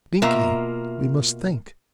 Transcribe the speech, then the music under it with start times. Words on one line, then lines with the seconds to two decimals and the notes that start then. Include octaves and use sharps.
'Binkie, we must think.
0.22 B2 A#3 F4 E5 A#5